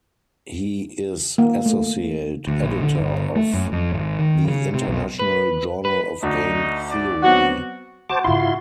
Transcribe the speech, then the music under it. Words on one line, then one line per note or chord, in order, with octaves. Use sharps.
He is associate editor of "the International Journal of Game Theory".
A#3
A3
D2
A#1
D3
G1
A3
F#2
F2
G#1
D#3
C#3
C3
B1
B4
B4
D2 D4 D#4
D5
F#3 B3 C4 F#4
A3 F#4 C5 A5 D6
G#2 C#3 E4 F4 C6